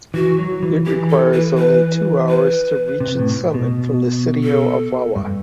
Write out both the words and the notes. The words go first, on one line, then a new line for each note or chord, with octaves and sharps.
It requires only two hours to reach its summit from the sitio of Wawa.
E3 F#4
F#3
E3
E3 G4
A4
B4
B4
B4
C3
A2
B2
A4
G2